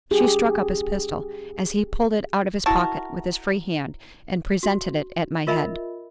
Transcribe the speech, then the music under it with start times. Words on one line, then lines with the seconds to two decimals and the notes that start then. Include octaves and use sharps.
She struck up his pistol as he pulled it out of his pocket with his free hand and presented it at my head.
0.11 C#4 G4 G#4
2.66 E4 F#4 A#4 A5
4.63 F#4
5.47 F4 A#4 D#5 E5 B5